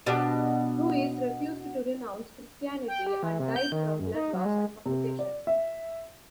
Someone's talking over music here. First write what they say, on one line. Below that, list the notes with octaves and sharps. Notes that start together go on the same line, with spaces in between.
Ruiz refused to renounce Christianity and died from blood loss and suffocation.
B2 D4 G4
G5
G4
E3
C3
G6
D#3
F#2
D#4
F#3
G#3
C3
D5
E5